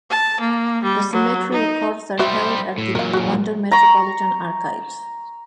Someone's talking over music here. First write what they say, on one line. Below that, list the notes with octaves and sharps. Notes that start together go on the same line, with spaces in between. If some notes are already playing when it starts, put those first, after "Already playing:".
The cemetery records are held at the London Metropolitan Archives.
A5
A#3
G3
F#3
D#4
G3 F#4 C5 D#5 E5
A2
A#2 F#3 A#4 F5
F#4 A#4
A#5 C#6